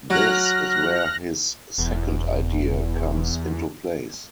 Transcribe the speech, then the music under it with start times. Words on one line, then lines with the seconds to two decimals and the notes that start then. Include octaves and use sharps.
This is where his second idea comes into place.
0.10 F#3 F6 F#6 A#6
1.78 E1 E2